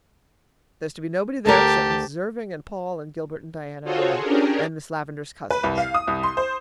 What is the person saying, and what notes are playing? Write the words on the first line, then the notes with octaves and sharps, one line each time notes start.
There's to be nobody there except Mrs. Irving and Paul and Gilbert and Diana and I, and Miss Lavendar's cousins.
D2 G4 A4 A#4 A5
F4 F#4 G#4 A4 C5 C#5
C#4 D4 G4 G#4 A#4
B4
C2
F5
D#6
C2
C6
C5